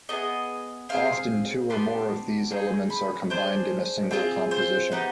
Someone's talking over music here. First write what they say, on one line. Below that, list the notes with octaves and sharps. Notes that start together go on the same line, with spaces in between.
Often two or more of these elements are combined in a single composition.
B3 D#4 G#4 D#5
C4 D#4 G#4 F5
B3 D4 G4 C6
C4 D#4 G#4
B5
D4 G#4 C5
C4 F4 G#4
C5
B3 D#4 G4